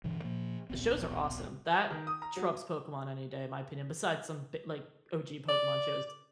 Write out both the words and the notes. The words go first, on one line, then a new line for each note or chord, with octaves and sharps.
The shows are awesome. That trumps Pokemon any day, in my opinion, besides some bi like, OG Pokemon shows.
G2 B2 D3 E3
A#2 F3 A#3
D1 A#1 B3 C4
D#3
D#6
A#5
F#3
D5